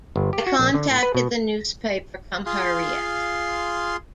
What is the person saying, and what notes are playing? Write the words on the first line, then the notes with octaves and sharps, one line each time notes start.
I contacted the newspaper Cumhuriyet.
G1
G4
F#4
A#1
D3
A2
B4
B2
F4 G#4 F5 C6